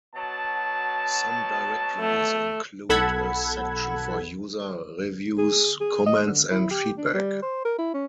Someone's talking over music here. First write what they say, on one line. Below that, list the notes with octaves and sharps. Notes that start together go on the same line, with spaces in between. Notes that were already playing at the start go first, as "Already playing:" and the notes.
Some directories include a section for user reviews, comments, and feedback.
B2 F#3 A5
A3
B1 A4 F#5 B5 E6 G#6
G#4
G#4
D#5
D3
E4
G4
D4
G3
C5
A#4
E4
C#4